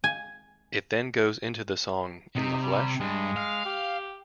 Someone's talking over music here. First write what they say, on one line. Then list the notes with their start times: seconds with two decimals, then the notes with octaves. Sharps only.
It then goes into the song In the Flesh?
0.04 G#5
2.36 C3 D#4
2.62 G3
3.00 G2 G#3
3.37 F5
3.65 G4